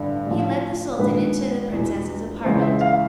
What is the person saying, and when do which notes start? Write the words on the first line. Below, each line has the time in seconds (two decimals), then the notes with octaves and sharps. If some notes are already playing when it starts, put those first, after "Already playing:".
He led the sultan into the princess's apartment.
Already playing: A1 G2 D3
0.26 A1 A2 F3
0.99 A#1 G#2 D#3 G#3 B4
1.72 E2 B2 G#3
2.44 C#2 C#3 E3 G#3 C5
2.62 E5
2.81 F5